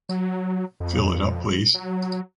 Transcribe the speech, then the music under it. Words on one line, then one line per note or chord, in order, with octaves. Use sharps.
Fill it up, please.
F#3
F2
F#3